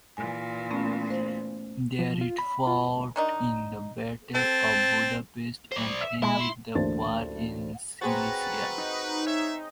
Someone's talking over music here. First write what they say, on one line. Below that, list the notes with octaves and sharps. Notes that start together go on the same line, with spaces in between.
There it fought in the Battle of Budapest and ended the war in Silesia.
A#2 E3 G#5
A3 B3 C#4
A3 C5
F3
F4
B5
F4
D#3 D4 D#4
C4 A4 A5
C5 D5
E5
G#3 E4
C6
A1 D2 A#3 D4 C5 A6
C4 F#4 G#4 B4 C#5 A#5 C#6 A6
D#4
C#5 E5